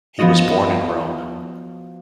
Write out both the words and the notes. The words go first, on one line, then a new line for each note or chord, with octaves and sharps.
He was born in Rome.
F3 B3 F#4 D#5